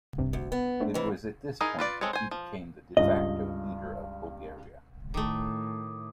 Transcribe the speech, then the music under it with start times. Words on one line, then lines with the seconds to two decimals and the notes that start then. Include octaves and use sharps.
It was at this point that he became the "de facto" leader of Bulgaria.
0.18 C2 G2 C3
0.33 D2
0.52 B3
0.80 A3 C4 D4
0.94 F2 E3
1.61 D#4 E4 G#4 A#4
1.79 F4 B4 D5
2.01 G#3 C4 A4 C#5
2.13 C5 G#5
2.31 F3
2.97 C#2 G2 D#5
5.14 A2 D#3 A3 D6 D#6